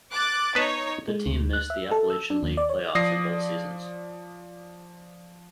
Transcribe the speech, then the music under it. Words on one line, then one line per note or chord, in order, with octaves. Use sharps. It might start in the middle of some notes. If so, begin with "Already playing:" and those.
The team missed the Appalachian League playoffs in both seasons.
D6 F#6 A6
B3 D#4 B4 C#5 A5
G#3
D2
F#6
E5
A4
E6
D4
D#2
D5
C#5
F3 D5 D#6 A#6 C7